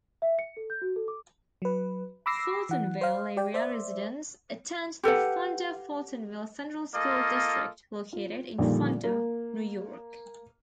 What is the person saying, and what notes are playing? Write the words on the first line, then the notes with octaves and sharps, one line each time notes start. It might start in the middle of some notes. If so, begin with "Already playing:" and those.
Fultonville area residents attend the Fonda-Fultonville Central School District, located in Fonda, New York.
E5
C#7
A4
G6
F#4
A4
D6
F#3 B4
B5 D6 E6 A#6 C7
E3 F#5
C5 F5
G4 D5 G5
C5 D5 E5
G4 A4 B4 F#5
A#3 F4 A4 D#5
F4
A#1 A#2 D3 D#3 G3
A#3